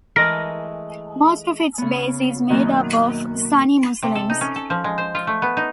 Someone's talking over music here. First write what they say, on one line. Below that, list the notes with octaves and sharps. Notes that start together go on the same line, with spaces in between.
Most of its base is made up of Sunni Muslims.
E3 G#3 A3 A#4 A#6
C#3 B3
F#2 B2 D#3 A#3 F#4
C3
A4
D#4
C#4
A4
F3
G#3
C5
F4
A3
B3
D#4